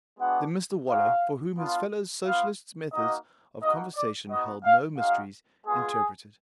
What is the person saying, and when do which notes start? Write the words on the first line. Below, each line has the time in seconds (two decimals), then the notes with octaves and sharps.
Then Mr Waller, for whom his fellow Socialist's methods of conversation held no mysteries, interpreted.
0.20 G#3 B3 D4 F#4 F#5
0.88 G#3 D#4 F#4 F5
1.57 B3 D4 F4
2.24 B3 F4 F5
2.93 A#3 D#4 F#4 D#5
3.61 A#3 D#4 F#4 D#5
3.96 D5
4.29 B3 D#4 F#4 D#5
4.64 F5
4.98 G#3 D#4 F#4 F5
5.66 G#3 B3 F4 G#4